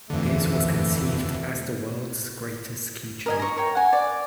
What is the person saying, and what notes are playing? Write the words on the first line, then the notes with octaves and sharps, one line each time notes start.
This was conceived as "the world's greatest ski jump".
F2 D3 E3 A3
A#4 D#5 G#5
A#5 C#6
A#4 C#5 G5
F#5 G#5
D5